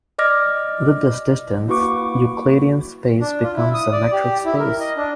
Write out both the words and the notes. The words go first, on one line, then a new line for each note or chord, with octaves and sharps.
With this distance, Euclidean space becomes a metric space.
D5 D#5 D6 F6 A#6
A#3 E4 F#4 B4 C#6 D6
D4
F4
E4
D#6
D5
G4
E4
A#4
D#5
D4